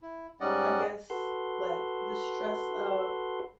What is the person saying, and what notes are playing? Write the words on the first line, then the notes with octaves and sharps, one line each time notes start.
I guess, like the stress of
E4
G#2 G3 C#4 D5 D#5 F#5
F#4 A4 B4 C6